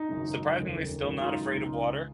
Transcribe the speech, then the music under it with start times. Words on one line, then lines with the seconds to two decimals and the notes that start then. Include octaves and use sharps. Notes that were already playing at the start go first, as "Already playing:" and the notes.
surprisingly still not afraid of water.
Already playing: D#4
0.09 G#1 F#2 C#3
0.57 F1 D#2 C#3
1.04 G#1 F#2 C#3
1.22 F4
1.28 D#4
1.52 C#2 C#3